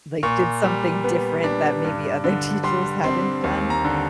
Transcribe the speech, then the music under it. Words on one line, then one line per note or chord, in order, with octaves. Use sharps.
like, did something different that maybe other teachers hadn't done?
A#2 C#6
G3
B3
D4
G2
D3
G3 C6
C4 C6
D#2
A#5
D3